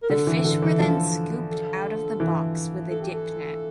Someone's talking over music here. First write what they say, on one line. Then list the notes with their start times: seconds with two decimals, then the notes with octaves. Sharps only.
The fish were then scooped out of the box with a dip net.
0.03 A#4
0.10 D3 A4
0.27 E3
0.45 D3
0.62 E3
0.80 D3 F3
1.50 A4
2.20 E3
2.90 A4
3.02 G4
3.13 A4